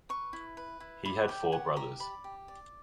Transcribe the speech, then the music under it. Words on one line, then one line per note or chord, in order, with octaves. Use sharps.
He had four brothers.
B4 C#6
E4
B4
E4
D5 B5
G4 G5
C#5 F#5
G4 A#5
D5 B5
G4
D5